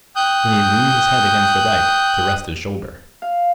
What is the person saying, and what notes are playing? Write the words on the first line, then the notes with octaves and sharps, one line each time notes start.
Then he leaned his head against the dike, to rest his shoulder.
G5 D#6 F#6 G6
F5